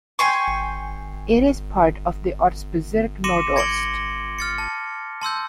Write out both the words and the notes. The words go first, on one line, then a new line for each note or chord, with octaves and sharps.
It is part of the "Ortsbezirk Nord-Ost".
G5 G#5 C6 C#6
C6 D6 A#6 C#7 D#7 E7
G#6 A#6 C#7 D7 F#7 G7
F6 A6 C#7
A5
A5 C6 E6 G6